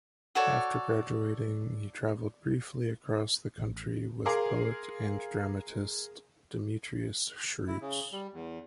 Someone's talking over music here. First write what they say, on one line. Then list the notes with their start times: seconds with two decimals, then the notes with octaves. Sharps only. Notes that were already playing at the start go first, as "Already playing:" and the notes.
After graduating, he travelled briefly across the country with poet and dramatist Demetrius Schrutz.
0.35 F#4 A4 C#5 D5
3.58 A1
4.26 G#4 A#4 F5 A#5 C6 D6
7.68 E4
7.81 C#3
8.12 G3
8.34 E2